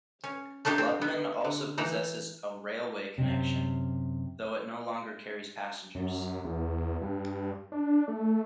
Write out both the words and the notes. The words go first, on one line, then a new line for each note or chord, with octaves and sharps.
Lubmin also possesses a railway connection, though it no longer carries passengers.
C#4
A3 A#3 D4 D#4 G4
C4
B3
D3
E3 D#4 E4
F#2 C3
F#2
E2
G2
D4
A3